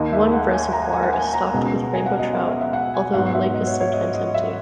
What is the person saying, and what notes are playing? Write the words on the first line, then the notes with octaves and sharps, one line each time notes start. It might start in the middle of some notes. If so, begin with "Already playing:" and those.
One reservoir is stocked with rainbow trout, although the lake is sometimes empty.
Already playing: D#2 D#3 A#3 D#5
E5
F#5
G#5
A#5
G#5
G#5
F#5
G#5
A#5
C#2 B2 G#3 B3
G#5
F#5
D#5
F#5
E5
E5
F#5
G#5
G#2 F#3 B3 F#5
E5
D#5
C#5
C#5
D#5
D#5
E5